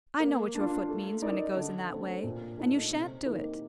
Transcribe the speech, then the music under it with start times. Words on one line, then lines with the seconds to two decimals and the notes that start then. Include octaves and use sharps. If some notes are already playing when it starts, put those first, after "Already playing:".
I know what your foot means when it goes in that way; and you shan't do it.
0.20 A#3
0.55 D4 F4
0.89 A3
1.22 D#4 A#4 D5
1.56 D3
1.90 A3 C4
2.24 A#2
2.58 A3 D#4 A4
2.91 C3
3.25 D#3 A#3 D#4